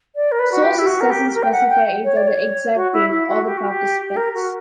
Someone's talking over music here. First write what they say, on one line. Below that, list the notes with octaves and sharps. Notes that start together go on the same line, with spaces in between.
Sources doesn't specify either the exact date or the participants.
D5
A#4
B4
F#4
G4
E4
F#4
A#4
G4
A#4
G5
F#5
G5
C#5
D5
C#5
F#4
E4
E4
F#4
G4
F#4
G4
G4
A#4
F#4